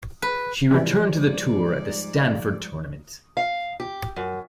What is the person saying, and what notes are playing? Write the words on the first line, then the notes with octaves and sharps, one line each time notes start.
She returned to the tour at the Stanford tournament.
B4
G#2 C3 E3 F3 G3 G#3 D5
F5
G4
F#2